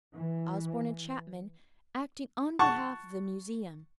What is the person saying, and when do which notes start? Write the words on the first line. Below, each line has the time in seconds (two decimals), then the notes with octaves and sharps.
Osborn and Chapman, acting on behalf of the Museum.
0.15 E3
2.59 F#5 A5 C#6